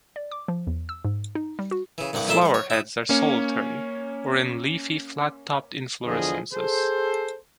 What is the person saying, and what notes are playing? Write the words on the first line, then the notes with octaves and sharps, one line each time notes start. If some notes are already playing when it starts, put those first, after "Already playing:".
The flower heads are solitary or in leafy flat-topped inflorescences.
D5
D6
F3
E2
E6
G#2
D#4
G3
F#4
C#3 E3
C2 G2 G3 F#5 D6
F2 A#2 A3 E4 A5 C6
G3 F5
C#5
E4 D#6
A#3 C#4 C#5
E2 D3 F3 E4 G#4 D#5
G#4 A4 C5